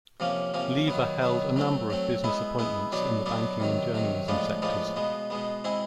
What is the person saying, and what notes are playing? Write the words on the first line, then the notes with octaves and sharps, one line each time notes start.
Lever held a number of business appointments in the banking and journalism sectors.
C3 F3 A#3 C#4
C3 F3 A#3 C#4
D#3 F#3 B3
D#3 F#3 B3
F#3 A3 C4
F#3 A3 C4
G#3 B3 E4
G#3 B3 E4
B2 F#3 B3 D4
B2 F#3 B3 D4
C3 D#3 F#3
C3 D#3 F#3
A2 F3 G#3 B3 D4
A2 F3 G#3 B3 D4
B2 G#3 B3
B2 G#3 B3
G#3 C4 E4 G#4